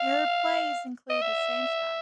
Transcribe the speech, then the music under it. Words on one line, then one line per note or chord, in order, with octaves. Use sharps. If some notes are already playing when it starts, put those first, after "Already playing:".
Her plays include "The Same Sky".
Already playing: F5
D#5
E5